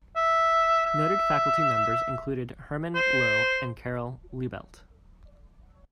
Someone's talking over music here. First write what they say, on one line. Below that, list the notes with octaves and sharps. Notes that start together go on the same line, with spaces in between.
Noted faculty members included Hermann Loew and Karol Libelt.
E5
E5
C5